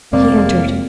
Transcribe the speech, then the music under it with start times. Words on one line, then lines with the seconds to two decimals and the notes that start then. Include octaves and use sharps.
He entered.
0.13 F2 C3 G#3 A#3 C4 D5